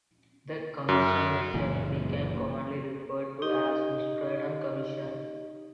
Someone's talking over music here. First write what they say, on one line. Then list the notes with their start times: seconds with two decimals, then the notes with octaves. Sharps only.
The commission itself became commonly referred to as the Stratton Commission.
0.89 F#2
1.54 F#1 A#2 E3
3.42 D#4 G4 D#5